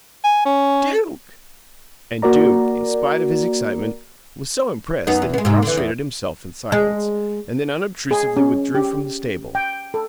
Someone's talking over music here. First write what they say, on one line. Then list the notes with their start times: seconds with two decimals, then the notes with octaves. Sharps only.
"DUKE!" And Duke, in spite of his excitement, was so impressed that he prostrated himself in silence, and then unobtrusively withdrew from the stable.
0.24 G#5
0.45 C#4
2.22 A#3 F#4 A#4 D5 A#5
5.07 F#2 B3 D#4
5.22 E2
5.34 G#3 B3
5.45 G#2 C3
5.62 D3 E3
5.77 E2
6.72 G#3
8.11 G#4
8.37 C#4
8.75 G4
9.55 G5
9.94 A4